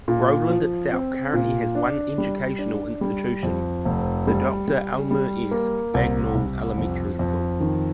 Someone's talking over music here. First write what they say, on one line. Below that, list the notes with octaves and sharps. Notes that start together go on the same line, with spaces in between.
Groveland itself currently has one educational institution, the Doctor Elmer S. Bagnall Elementary School.
A#2
F3
C4
A#2
D4
G3
D4
G3
F2
F1
G3
G3
G3
A#3
C2
C2
F2
F2
D#3